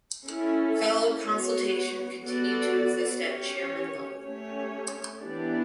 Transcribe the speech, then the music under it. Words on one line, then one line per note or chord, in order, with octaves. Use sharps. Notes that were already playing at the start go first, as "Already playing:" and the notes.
Fellow consultation continued to exist at chairman level.
C#4 E4 A4
B3 F#4 C#5
B3 F#4 A4 D5
C#4 G4 C#5
A3 C#4 G4 C#5
E3 B3 D4 G4 D5